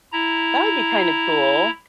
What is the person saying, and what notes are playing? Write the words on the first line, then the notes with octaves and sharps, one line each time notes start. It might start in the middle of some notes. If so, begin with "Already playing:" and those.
That would be kinda cool.
E4 A#5